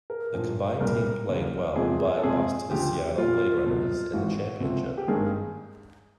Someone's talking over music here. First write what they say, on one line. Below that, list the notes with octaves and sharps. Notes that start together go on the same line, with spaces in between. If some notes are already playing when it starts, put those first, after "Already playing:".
The combined team played well but lost to the Seattle Bladerunners in the championship.
A#4
A#1 A2 F3
C2 A#2 G3 A#4
D#2 C#3 F#3
E2 C3 F3 G#3 G#4
G#4
A4
F2 C3 F3 G#3 G#4
D2 C#3 F3 G4
B1 B2 G3 F4
C2 B2 F#3
G#1 G#2 E3 F#4
C#2 C3 F3
G4
G#1 G2 D#3 G#3 G#4